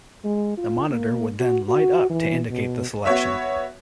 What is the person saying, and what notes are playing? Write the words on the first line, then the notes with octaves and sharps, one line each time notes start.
The monitor would then light up to indicate the selection.
G#3
F4
A#3
F#4
F#4
E3
B2
B3 F#4 C#5 E5